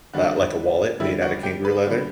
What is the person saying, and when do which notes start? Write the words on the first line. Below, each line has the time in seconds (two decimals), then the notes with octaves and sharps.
uh like, a wallet made out of kangaroo leather.
0.13 D3 G3 D4 F#4
1.00 D3 G3 D4 E4
1.21 F#4
1.43 G4
1.65 B4
1.87 D3 G3 D4